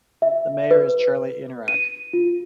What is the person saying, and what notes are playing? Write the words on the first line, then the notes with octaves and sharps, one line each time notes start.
The mayor is Charlie Inuarak.
E5
B4
D#7
F4